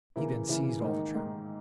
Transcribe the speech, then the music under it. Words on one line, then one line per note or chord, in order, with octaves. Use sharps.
He then seized all the trout.
C#3 E3 A#3 E4 A#4
C#3 E3 A#3 E4 A#4
G#2 D#3 A#3 D#4
G#2 D#3 A#3 D#4